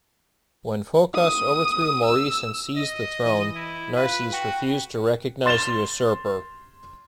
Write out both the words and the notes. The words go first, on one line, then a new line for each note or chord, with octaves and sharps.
When Phocas overthrew Maurice and seized the throne, Narses refused to recognize the usurper.
D#6
E6
D#5
E3
E4
F4 B4
F#4 G5
C6 A6 E7 F7 G7